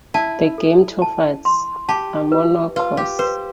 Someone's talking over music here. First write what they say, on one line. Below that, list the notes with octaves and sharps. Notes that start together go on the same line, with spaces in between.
The gametophytes are monoicous.
E4 A5
A4
A5
C6
G4 A5
B4
F4 B4
G4
B4 C5